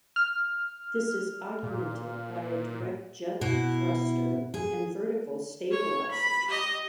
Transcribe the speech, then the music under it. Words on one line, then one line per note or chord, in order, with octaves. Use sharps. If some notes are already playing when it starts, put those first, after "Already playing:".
This is augmented by a direct jet thruster and vertical stabilisers.
F6
A#2
B2 E4
G#4
C#5
B5
G4 D#5